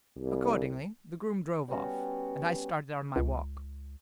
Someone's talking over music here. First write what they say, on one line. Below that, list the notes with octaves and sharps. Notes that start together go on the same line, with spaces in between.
Accordingly the groom drove off, and I started on my walk.
C2
G3 B3 C#4 F#4
C#2